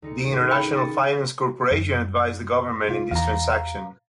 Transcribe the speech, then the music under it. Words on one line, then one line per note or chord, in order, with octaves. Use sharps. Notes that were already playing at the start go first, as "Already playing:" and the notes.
The International Finance Corporation advised the government in this transaction.
D2 D#4 C#7
G#1 C#4
E4 G5 B5
D#6 A6 C#7
F#2
C2 F4
E2 E3 F5 A#5